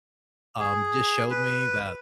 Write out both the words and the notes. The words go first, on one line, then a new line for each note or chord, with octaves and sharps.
Um, just showed me that,
G#4
B4